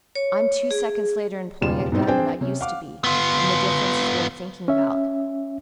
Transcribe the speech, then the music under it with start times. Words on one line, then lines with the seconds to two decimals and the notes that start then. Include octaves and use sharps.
I'm two seconds later in pulling a gun than I used to be, and the difference is worth thinking about.
0.15 C#5
0.71 G#4
1.62 E1 D#2 C#3 G3 F4 E7
1.92 G#2 B2 G3 C4 D#4 E4
2.07 C4 D4 G#4 C5 G5 G#5
2.41 C3 C#4
2.61 F5 F#5 D6
3.04 B3 F4
4.68 C#4 E5